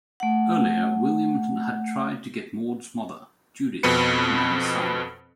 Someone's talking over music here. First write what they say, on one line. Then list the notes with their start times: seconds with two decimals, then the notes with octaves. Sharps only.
Earlier, William had tried to get Maud's mother, Judith, to marry Simon.
0.20 A3 F#5
3.83 F2 B2 C4 B4 C#7